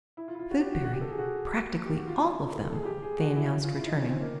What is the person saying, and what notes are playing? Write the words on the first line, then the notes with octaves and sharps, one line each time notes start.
"Food-bearing, practically all of them," they announced returning.
E4
F4
E4
F4
F#4
G4
F#4
F#4
G4
A4
G#4
F#4
G4
F#4
F4
E4
A4
A4
G#4
G4
G#4
F#4
E4
F4
E4
D#4
C#4
C4
A#3